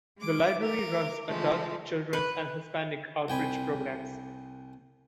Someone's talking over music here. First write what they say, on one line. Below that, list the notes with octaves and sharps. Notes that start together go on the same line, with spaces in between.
The library runs Adult, Children's, and Hispanic Outreach programs.
G#3 D6
A#4 D6
C#3 E3 F3 G#3 A3
B4
C2 G5 G#5 B5